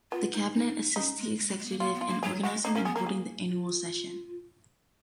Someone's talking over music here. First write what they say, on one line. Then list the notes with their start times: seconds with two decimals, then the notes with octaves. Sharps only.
The Cabinet assists the Executive in organizing and holding the Annual Session.
0.12 B3 F4
0.33 D#4
0.54 D#4
0.96 C#4 D#4
1.18 G#3
1.38 G#3
1.49 G#3
1.59 G#3
1.65 B3
1.70 A#3
1.80 A#3 F4
1.94 B3
2.01 F4
2.08 A#3
2.23 F#3 G#4
2.43 G#3 F#4
2.64 A#3 D#4
2.75 A#3 C#4
2.85 B3 G#4
2.96 A#3 A#4
3.06 G#4
3.49 F4